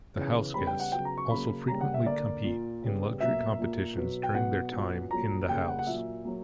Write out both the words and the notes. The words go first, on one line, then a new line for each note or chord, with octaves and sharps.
The HouseGuests also frequently compete in luxury competitions during their time in the house.
C#3 E3 B3
C#3 G3 B3 B5
G5
F#5
C#3 F#3 B3 G5
A#5
C#6
C#3 F#3 A#3 B5
C#3 G3 A#3 A#5
F#5
E5
D3 A#3 D5
A#2 A#3
C#3 G3 B3
B2 F#3 A#3 E5
A#2 A#3
B2 F#3 B3
G5
B2 F#3 B3 F#5
A#2 F#3 B3
A#2 F#3 A#3 A#5
C#3 G3 A#3 G5
F#5
F#5
A#2 F#3 A#3 E5
F#3 A#3